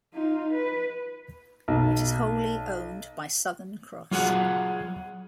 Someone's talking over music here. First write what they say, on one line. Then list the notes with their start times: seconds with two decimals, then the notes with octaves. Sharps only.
It is wholly owned by Southern Cross.
0.14 D#4 F4
0.51 B4
1.68 B1
4.11 F#3 F4 G#4 F#5